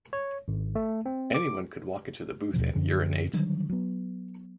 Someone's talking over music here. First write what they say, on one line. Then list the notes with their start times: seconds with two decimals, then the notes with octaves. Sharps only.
Anyone could walk into the booth and urinate.
0.13 C#5
0.48 G#1
0.75 A3
1.06 C4
1.34 D6
2.54 D#2 B2 F3
2.75 F#2 D3 F3
3.33 D3 D#3 F#3 G3
3.69 F#3 B3